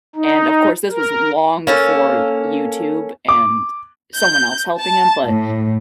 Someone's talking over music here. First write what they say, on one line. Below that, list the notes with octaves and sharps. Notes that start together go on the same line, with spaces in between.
And of course this was long before Y YouTube and someone else helping him, but
D#4
A#4
A#3 C#4 A4
D6
G6
A5
A2